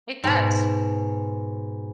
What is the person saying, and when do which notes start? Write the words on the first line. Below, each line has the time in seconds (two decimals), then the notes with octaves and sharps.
It does.
0.24 G#2 B2